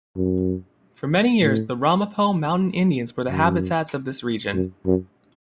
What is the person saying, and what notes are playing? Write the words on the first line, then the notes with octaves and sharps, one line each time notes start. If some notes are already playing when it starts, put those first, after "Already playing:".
For many years the Ramapough Mountain Indians were the habitats of this region.
F#2
A2
F#2
F#2
F#2